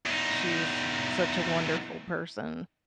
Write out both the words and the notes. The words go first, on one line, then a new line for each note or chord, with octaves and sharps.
She's such a wonderful person.
E2 D#4